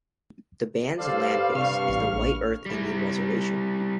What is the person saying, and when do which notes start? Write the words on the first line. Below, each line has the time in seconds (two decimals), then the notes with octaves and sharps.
The band's land base is the White Earth Indian Reservation.
0.99 G2 G3 A4 C5 D5 F5
1.55 C3 C#6 F6
1.89 A1
2.13 A#1
2.66 G3 E4